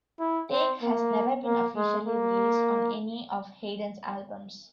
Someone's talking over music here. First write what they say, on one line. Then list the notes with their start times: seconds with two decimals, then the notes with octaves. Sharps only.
"Take" has never been officially released on any of Hayden's albums.
0.20 E4
0.51 C4
0.82 A#3
1.45 A#3
1.76 G#3
2.07 A#3